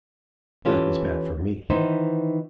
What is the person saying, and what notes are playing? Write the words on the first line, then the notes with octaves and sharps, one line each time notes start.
That was bad for me.
E3 C#4 F4 G4 A4
D#3 E3 B3 D#4 E4 C5